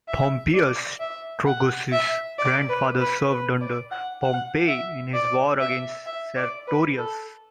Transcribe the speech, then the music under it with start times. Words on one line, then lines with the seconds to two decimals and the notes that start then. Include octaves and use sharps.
Pompeius Trogus's grandfather served under Pompey in his war against Sertorius.
0.08 E5
0.54 D5
1.00 E5
1.46 F#5
1.92 E5
2.39 D5
2.69 B4
3.00 B4
3.31 B4
3.61 D5
3.91 F#5
4.22 F#5
4.68 E5
5.14 D5
5.60 E5
6.06 E5
6.37 D5
6.67 B4
6.98 A4